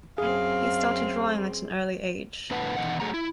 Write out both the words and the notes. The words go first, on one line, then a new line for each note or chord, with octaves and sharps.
He started drawing at an early age.
F#2 C4 G#4 F5
F2 A2 D3 B4 F#5 A5
B2 D#3 E3 A#3 D#5 F#5
F#3 A3 G#4 F#5 A#5
E4